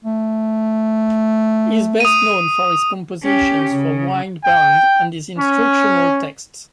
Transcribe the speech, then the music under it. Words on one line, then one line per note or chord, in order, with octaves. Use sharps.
He is best known for his compositions for wind band and his instructional texts.
A3
D#6 D#7
C#4 G4
C#3
G5
C#4